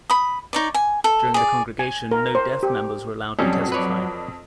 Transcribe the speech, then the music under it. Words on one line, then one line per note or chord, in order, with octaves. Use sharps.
During the congregation, no Deaf members were allowed to testify.
B5 D#6
D#4 C#5 D5
G#5
A4
G#4 D5
G#5
A#4
C5
G4
F2 F#3 G3 C#4
B4 C#5 D5